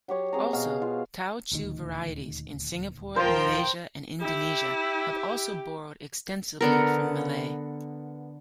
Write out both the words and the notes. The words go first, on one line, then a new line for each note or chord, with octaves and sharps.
Also, Teochew varieties in Singapore, Malaysia and Indonesia have also borrowed extensively from Malay.
F#3 G4 C#5
C4 G#4 A#5
B2 F#4 F5
F4
D#1 D2 D#3
F3 A#4 C5 G5
E4 G4
D3 B3 A#4